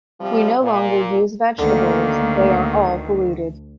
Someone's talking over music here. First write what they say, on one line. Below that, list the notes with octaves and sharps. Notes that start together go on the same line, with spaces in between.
We no longer use vegetables, they are all polluted.
C3 F3 G3
A#2
D2 D3 D#3 A#3